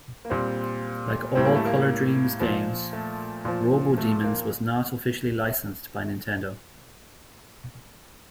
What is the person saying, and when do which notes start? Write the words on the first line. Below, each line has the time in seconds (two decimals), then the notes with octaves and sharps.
Like all Color Dreams games, Robodemons was not officially licensed by Nintendo.
0.25 A#3
0.30 A#2 G3 C4
1.35 A2 G3 C4
1.45 A#3
1.55 A3
1.65 A#3
2.40 A#2 F3
2.93 A3
3.45 A#2 F3
3.98 A3
4.24 A#3